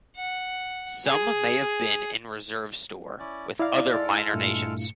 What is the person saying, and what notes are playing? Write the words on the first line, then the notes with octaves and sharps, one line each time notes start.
Some may have been in reserve store with other minor nations.
F#5
G#4
C#4 E4 D5
E4 D5 F5 A#5
G#3 A4 F6 A6
G2 A#2 A3 C#7